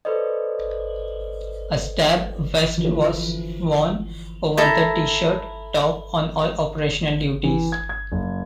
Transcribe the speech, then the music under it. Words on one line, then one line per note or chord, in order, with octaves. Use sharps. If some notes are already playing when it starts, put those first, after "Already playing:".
A stab vest was worn over the T-shirt top on all operational duties.
A4 B4 C5 D5 D#5
D3 E3 F3
E4 A4 A#5
E3
G#6
G#6
F#1